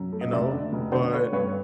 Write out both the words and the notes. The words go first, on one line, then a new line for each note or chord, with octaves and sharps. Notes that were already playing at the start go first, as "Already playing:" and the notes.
you know? But,
Already playing: F#2
A3
D#5
F1 D5 E5
D3
F1
D3 C5 D5
A3 B4 C#5
G2 B4 C#5